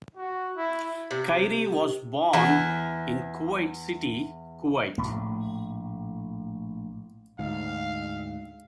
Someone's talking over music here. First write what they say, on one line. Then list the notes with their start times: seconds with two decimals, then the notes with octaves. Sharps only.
Khairy was born in Kuwait City, Kuwait.
0.17 F#4
0.57 E4
1.11 C3
2.33 E2 E4
4.97 A#1 A2 A3
7.39 D2 G#2 F5